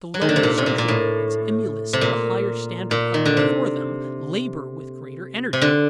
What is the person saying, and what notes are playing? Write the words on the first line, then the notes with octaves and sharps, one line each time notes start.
The lower social grades, emulous of the higher standard held before them, labor with greater energy.
F#3
D#3
D3
C3
A#2
C3
A#2
A#2
A2
C3
A#2
A#2
D#3
D3
C3
C3
D3